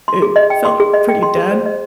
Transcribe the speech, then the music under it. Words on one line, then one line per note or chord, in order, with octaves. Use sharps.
it felt pretty dead.
C6
G#4
D#5
G5
C6
G#4
D#5
G5
C6
G#4
C5
D#5